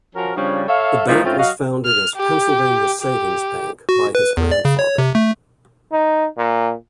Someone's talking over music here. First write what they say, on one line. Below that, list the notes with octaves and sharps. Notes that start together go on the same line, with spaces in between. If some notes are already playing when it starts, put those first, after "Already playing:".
The bank was founded as Pennsylvania Savings Bank, by his grandfather.
F3 C#4 F#4 A#4
C#3 F3 G3 C#4 D4
A4 C#5 E5 F5
A#2 D#3 F3 G#3 D#4 E4
G#2 A3 C4 C#4 F4
F#3 F#4 D#5 F5
F6
G4
G4
F#4
B4
E2
D5
C#3
C#5
C3
A3
D#4
A#2